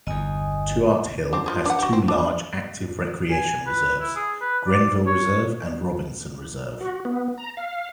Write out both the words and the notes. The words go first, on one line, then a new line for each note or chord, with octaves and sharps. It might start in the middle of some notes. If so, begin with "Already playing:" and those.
Tuart Hill has two large active recreation reserves: Grenville Reserve and Robinson Reserve.
G1 E2 D#5 G#5 D#6
C4 D4
F3 F4 G#4
D4 B4 F#5
F#4 G4
C4
D4
G#5
B4
E4
G#4
B4
D5
C#5
F#4
B3
A#5
F5